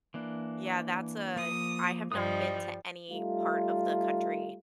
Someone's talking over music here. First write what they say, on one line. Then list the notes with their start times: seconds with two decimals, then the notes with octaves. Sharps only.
Yeah, that's a I have not been to any part of the country
0.14 E3 A#3 D4
1.36 F3 A#3 D#6
2.12 G2 F3 G3 D#5 F5 D#6
3.10 G3 A3 D#4 F4